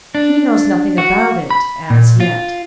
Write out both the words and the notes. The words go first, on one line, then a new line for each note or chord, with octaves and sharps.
"He knows nothing about it,--as yet."
D4
F#4
B5
A#2
F4